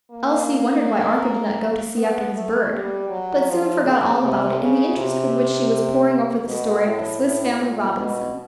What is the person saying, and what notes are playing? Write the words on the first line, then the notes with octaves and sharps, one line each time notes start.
Elsie wondered why Arthur did not go to see after his bird, but soon forgot all about it in the interest with which she was poring over the story of the "Swiss Family Robinson."
A#3
B3
A3
G3
F#3
F3
C#3
C3
C#3
C3
B2
A2
A2
A#2
B2